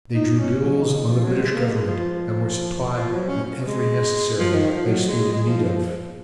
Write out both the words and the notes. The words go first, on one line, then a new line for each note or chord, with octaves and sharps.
They drew bills on the British government, and were supplied with every necessary they stood in need of.
D#4
C#4
F#3
D#3
D#3
F3
F#3
G#3
A#3
G#3
F3
F3
F#3
C#4
G#3
F3
D#3
F3
F#3
G#3
G#3
F3
F3